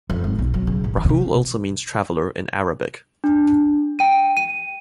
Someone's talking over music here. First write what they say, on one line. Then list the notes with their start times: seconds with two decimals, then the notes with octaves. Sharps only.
Rahul also means "traveler" in Arabic.
0.10 F2
0.24 G#1
0.39 B1
0.54 F#3
0.67 C#3
0.84 A1
0.97 E3
1.09 C3
3.24 D4
3.99 G5 D#7
4.37 D#7